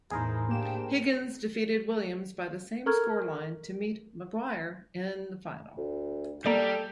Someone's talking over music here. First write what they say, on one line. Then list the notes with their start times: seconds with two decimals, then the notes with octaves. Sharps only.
Higgins defeated Williams by the same scoreline to meet Maguire in the final.
0.11 E2 A2 D#4 E4 G#4 A#4 C5
0.49 A#3 D4 G4 E7
2.86 A4 A#4 A#5 C#6 F6 G#6
5.78 D2
6.46 G3 A#3 A4 D5